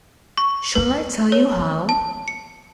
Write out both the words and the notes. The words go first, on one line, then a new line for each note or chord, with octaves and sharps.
Shall I tell you how?
C#6
B4
C#5
A5
C#7